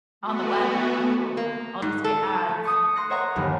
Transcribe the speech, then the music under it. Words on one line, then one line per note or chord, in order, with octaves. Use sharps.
on the web, in general. I'll just get ads.
A3 B3 F#4
A#3
G#2
A4
A3
C#6 D#6 C#7
C6 F#6 A#6 C#7
C5 C#5 E5 F#5 A#5 C#6
G1 D#2 G3